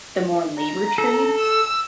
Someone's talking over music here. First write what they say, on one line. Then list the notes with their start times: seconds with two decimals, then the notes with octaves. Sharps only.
the more labor trades,
0.58 A#5
0.98 A4
1.38 E6